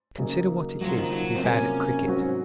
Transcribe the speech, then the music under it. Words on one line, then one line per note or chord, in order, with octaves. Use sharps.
Consider what it is to be bad at cricket.
C#3 F#3 A#3 D#4 G#4
C#3 F3 F#3 A#3 F4
D#3
F#3
C4
C3 F#3 A#3 C#4 F4 G#4
G#2 F#3 C4 F#4